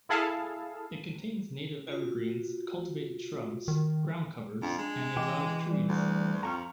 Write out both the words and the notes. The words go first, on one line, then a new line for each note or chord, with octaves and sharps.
It contains native evergreens, cultivated shrubs, groundcovers, and exotic trees.
E4 G#4 A4 F5 A5
F4 F#4
D#3
F2 D4
G#3 D4
E3 D#5 G5 D6
G3
D2
F2 A#5 C#6 F6